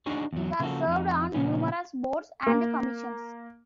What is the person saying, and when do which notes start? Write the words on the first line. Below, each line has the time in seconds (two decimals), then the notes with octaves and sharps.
He has served on numerous boards and commissions.
0.06 D4 D#4 F#4 G#4 C#5
0.33 E2 F#3
0.60 C#3 F3 A#3 B3 F#4 A4
0.88 F2 D#4
1.34 A#2 C#3 F3 B3 C#4
2.47 A#3